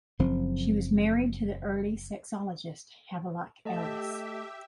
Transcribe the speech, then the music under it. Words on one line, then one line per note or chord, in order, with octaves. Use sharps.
She was married to the early sexologist Havelock Ellis.
F#1 F3 C4
A3 G4 A4 D#5 E5 A5